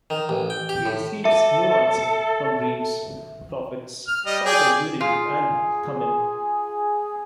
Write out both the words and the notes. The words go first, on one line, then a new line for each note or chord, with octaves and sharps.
He receives no answer from dreams, prophets, or the Urim and Thummim.
D#3
A1
G5
G4
A2
A4 E5
F6
G3 D#5
G#4 D5 G5
F4 G#4